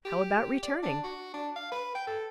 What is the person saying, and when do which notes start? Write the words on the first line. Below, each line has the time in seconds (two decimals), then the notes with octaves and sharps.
"How about returning?"
0.05 G4
0.63 D5
0.83 D4
1.04 F#4
1.34 D4
1.56 F5
1.71 B4
1.95 G5
2.07 A4